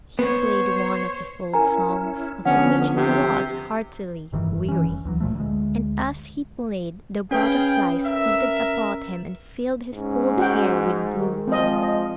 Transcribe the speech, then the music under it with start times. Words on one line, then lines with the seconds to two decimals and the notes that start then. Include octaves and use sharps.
He played one of his old songs, of which he was heartily weary, and, as he played, the butterflies flitted about him and filled his old hair with blue wings.
0.19 B3 C5 C#5
1.54 C#4 E4 A#4 G#5 A#5
2.45 D3 F3 B3 C#4 F#5
2.96 C3
4.32 F1 G2 D#3 E3
4.68 E3 C#4
4.85 F1
5.05 D2 E3 F#3
5.20 F#1 A#2 F3 A3
5.35 D2 G#3
7.31 C#4 G#4 B4 F5 G5
8.04 A#4 E5
9.93 G#2 C#4
10.38 F#4 F#5 G5
11.11 D#3
11.47 F3 G#3 C4 D#5
11.82 D#5